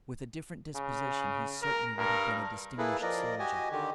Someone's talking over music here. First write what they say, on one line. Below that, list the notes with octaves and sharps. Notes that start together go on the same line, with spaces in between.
With a different disposition he certainly would have been a distinguished soldier.
C#3
A#4
G2 A#4
A#3 E4 G#4 A4 B4
F3 A#4 D5 D#5
F#4 G4 D#5 G#5
D3 D#3 G4